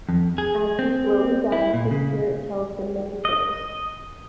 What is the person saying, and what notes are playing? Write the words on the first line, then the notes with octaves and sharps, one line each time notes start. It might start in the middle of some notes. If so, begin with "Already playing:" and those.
As he slowly dies, the spirit tells him many tales.
F2
G#4
C4
E4
A#2
C#3
D#5